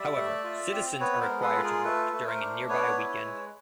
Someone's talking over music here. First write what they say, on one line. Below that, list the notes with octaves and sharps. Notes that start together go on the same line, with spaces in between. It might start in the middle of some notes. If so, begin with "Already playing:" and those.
However, citizens are required to work during a nearby weekend.
Already playing: G3 D5 E5
A3
F4
C4
B3 B4 C#5
A#4 C5
G#3
A4 B4
F4
G#4 A#4
A3 A4 B4
A3
A#4 C5
D4
B3 B4 C#5
E4
G#3